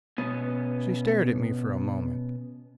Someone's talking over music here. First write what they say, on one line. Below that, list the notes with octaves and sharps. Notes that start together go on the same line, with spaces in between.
She stared at me for a moment.
B2 B3 C#4